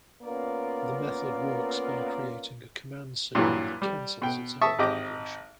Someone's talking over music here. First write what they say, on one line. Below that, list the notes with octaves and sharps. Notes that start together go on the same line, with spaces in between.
The method works by creating a command signal that cancels its own vibration.
A#3 B3 C#4 F4 A#4 D5
G2 A#2 E3 F#3
G3
B2 G5
E5 A5 C#6 D#6
G#1 G4 D#5 D6